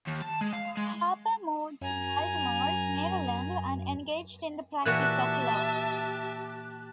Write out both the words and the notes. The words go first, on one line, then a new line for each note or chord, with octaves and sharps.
Harper moved to Baltimore, Maryland, and engaged in the practice of law.
D#2
A5
G#3
F5
G#3
F#2 G#5 A#5
A#2 E3 F#4 G4 E5 A5 F#6